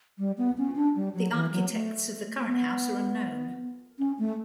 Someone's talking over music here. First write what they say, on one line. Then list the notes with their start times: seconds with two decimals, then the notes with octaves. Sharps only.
The architects of the current house are unknown.
0.19 G3
0.38 B3
0.58 C#4
0.76 D4
0.96 G3
1.15 F#3
1.33 E3
1.52 F#3
1.72 A3
2.48 B3
3.99 C#4
4.19 A3